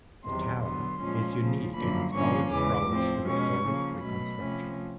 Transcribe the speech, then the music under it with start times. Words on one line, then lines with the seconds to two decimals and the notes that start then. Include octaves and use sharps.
The tower is unique in its bold approach to historic reconstruction.
0.24 E2 C3 D#3 F#3 C6
0.62 D3 F#3 B3 C6
1.00 A#2 F3 G#3 C#4
1.38 C#3 F3 A3
1.75 F#2 D3 F3 A#3 B5
2.13 G2 D3 F3 A#3 C#4 C#6
2.51 E2 C#3 E3 G#3 D6
2.88 A2 F3 A3 C4
3.27 B2 G#3 C#4 C#6
3.64 C#3 F3 A#3 C#4
4.02 B2 F#3 A3 B5
4.40 C3 F3 A3 C#4